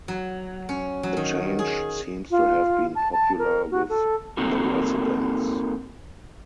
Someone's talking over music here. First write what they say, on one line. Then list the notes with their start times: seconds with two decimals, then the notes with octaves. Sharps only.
The change seems to have been popular with the residents.
0.08 F#3
0.69 C#4
1.03 F#3
1.17 D#3
1.59 G#4
2.31 F4
2.95 A5
3.12 A5
3.39 A#4
3.71 F#4
3.89 A4
4.37 A#3 C4 D#4 F#4 A4 A#4